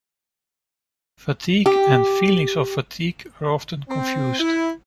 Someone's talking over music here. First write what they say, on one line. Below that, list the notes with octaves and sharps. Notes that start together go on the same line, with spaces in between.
Fatigue and 'feelings of fatigue' are often confused.
G4
C4
E4